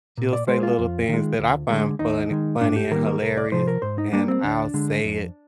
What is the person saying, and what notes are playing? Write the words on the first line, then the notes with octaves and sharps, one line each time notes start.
she'll say little things that I find funny funny and hilarious, and I'll say it
A#2
D5
G#3 C5
F4
F2
D#3
G#3
D2
D3 G#3
D#2 D#4
D#3 G#3
G#2 D4
G4
D#3 G3 A#3 A#4
A#4
C2 A#4
D5
C3 F3 C5
A#4
G#2 C5
D#4
G3 A#3 D4
C4
D2 D4
D3 G#3
F2